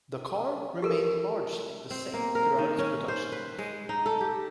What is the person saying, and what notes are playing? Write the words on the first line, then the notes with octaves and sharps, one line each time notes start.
The car remained largely the same throughout its production life.
G4 A4 A#4
C4
A#3
A#4
D#3
C#4
C5
B4
G#3
D#4
A4
G4